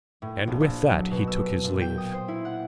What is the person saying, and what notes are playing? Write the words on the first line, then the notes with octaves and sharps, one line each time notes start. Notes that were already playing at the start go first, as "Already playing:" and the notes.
And with that he took his leave.
A2
A#1
A#1
F#3
B2
E6
A#2
G5
D#6
C5
E4
F#5